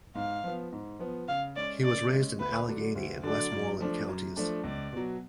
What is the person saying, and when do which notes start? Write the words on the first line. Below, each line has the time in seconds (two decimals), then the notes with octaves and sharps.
He was raised in Allegheny and Westmoreland counties.
0.15 G#2 F5
0.44 F3 B3
0.73 G#2
0.99 F3 B3
1.28 C#3 F5
1.56 G#3 C#4 D5
1.84 C#3 D5
2.13 G#3 C#4
2.40 D2 B4
2.68 D3 F#3 A3 D4
2.95 D2
3.23 D3 F#3 A3 D4 D5
3.52 F#2
3.80 F3 A3 D4
4.09 F#2
4.37 F3 A3 D4
4.63 C#2 D5
4.93 B2 F#3